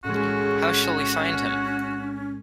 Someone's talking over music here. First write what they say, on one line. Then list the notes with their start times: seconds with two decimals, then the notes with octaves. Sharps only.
How shall we find him?
0.04 A2 G#3 C#4 F#4